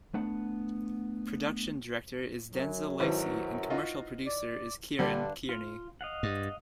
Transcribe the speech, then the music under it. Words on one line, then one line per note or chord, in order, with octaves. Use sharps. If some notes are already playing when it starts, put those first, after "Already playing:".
Production Director is Denzil Lacey and Commercial Producer is Ciaran Kearney.
A3 B3 D4 F#5
F#2 F#3
G#1 E4 B4 C5
D#4 F4 F#4
D5
G2 D3 G3 D4
F4
D#5 F5 F#5
G2